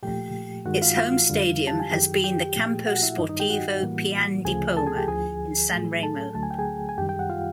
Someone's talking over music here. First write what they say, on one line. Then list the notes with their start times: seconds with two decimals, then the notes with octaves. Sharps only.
Its home stadium has been the "Campo Sportivo Pian di Poma" in Sanremo.
0.03 A#2 F3 A3 G4 G5
0.65 G2 D#3 G#3 F#4 F#5
0.82 F4 F5
0.97 F4 F5
1.30 F2 D3 G3
1.67 A5
1.80 G#5
1.92 F#2 D#3 F#3 G4 G5
2.24 G4 G5
2.56 A#2 F3 A3
2.87 F#4 F#5
3.03 E4 E5
3.18 G2 D#3 G3 D#4 D#5
3.29 D#4 D#5
3.39 G4 G5
3.50 F#4 F#5
3.82 A2 E3 G3 A#3
4.45 D2 C#3 F3 A3 G#4 G#5
4.77 A4 A5
4.87 G#4 G#5
4.97 G4 G5
5.08 D2 D3 F3 G#4 G#5
5.71 A2 F#3 A3
6.03 A4 A5
6.34 D2 D3 F#3 A3 A5
6.43 G#5
6.51 G5
6.59 G#4 G#5
6.89 G#5
6.98 F#2 D#3 G3 G4 G5
7.09 G5
7.19 F#5
7.29 F4 F5